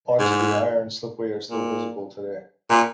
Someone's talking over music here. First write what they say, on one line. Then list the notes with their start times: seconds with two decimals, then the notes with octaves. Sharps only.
Parts of the iron slipway are still visible today.
0.19 G#2
1.50 A#2
2.70 A#2